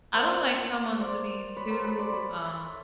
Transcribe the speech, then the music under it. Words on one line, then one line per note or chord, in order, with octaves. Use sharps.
I don't like someone to be too, um
A#4 C5
C5 D5
C5 D5
B4 C#5
A#4 C5
A4 B4
C5 D5
B4 C#5